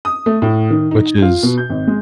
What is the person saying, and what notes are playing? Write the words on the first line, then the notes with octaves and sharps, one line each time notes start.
Which is,
D#6
A3
A2
D#3
D#4
F4
B2
G6
G#1
G#3